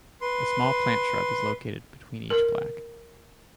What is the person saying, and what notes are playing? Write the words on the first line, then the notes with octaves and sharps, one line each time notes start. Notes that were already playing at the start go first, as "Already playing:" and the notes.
A small plant shrub is located between each plaque.
B4 C6
A#4